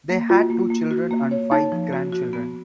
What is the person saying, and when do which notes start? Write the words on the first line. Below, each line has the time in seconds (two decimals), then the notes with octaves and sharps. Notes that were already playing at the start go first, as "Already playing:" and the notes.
They had two children and five grandchildren.
0.10 A#3
0.29 F4 F#4
0.50 A#3
0.70 A#3
0.91 F#4
1.11 A#3
1.31 C#5
1.51 D#4 C#5
1.72 F3
1.93 F#4
2.12 F#4
2.33 B3